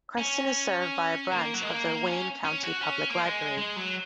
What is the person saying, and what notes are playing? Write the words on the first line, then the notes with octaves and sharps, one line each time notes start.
Creston is served by a branch of the Wayne County Public Library.
C#4
A#3
F#3
G#3
A#3
C#4
C#4
F#4
C#4
A#3
G#3
G#3
F#3